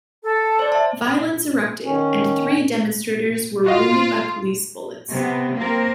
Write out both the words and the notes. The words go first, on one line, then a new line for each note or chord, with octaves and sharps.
Violence erupted, and three demonstrators were wounded by police bullets.
A4
C5 D5
E5 A5
D#3 C#4
F4 F#4 D#5 F5
C3 B3
A#3 C4 A#4